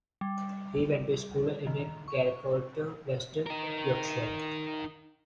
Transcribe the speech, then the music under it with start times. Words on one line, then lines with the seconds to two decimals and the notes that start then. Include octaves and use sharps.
He went to school in Garforth, West Yorkshire.
0.21 G3
1.67 D#3
2.08 C#6
3.46 D#4 A#4